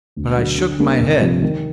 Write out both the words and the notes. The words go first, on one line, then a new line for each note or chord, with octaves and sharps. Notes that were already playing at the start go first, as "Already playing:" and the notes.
But I shook my head.
D2
D3 F#3
D3
G3 A#3 D4
C2
C3 F3
D#3